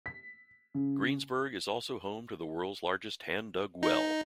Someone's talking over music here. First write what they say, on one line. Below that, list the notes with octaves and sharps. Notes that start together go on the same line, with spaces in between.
Greensburg is also home to the world's largest hand-dug well.
B6
C#3
D#4